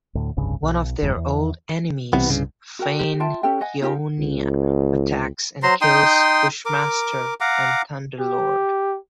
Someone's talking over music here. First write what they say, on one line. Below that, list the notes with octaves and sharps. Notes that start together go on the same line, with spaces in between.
One of their old enemies, Fain Y'Onia, attacks and kills Bushmaster and Thunderlord.
D2 A2
F1 C2 G2 C#3
B1
F#1 E2 G2
E2
C2 C3 E3 B3
G2 C#3
F#4 A#4 G5
G4
F4 E5 G5 A5
C#4 G4 A4 G5
D#5 F#5 G#5
D#4 F4 G4 A#4
C#2
F#3 C5 A#5 C6
D#4 G5 C6 D#6
A#4 D6
F5 F#5 A#5 D6
G4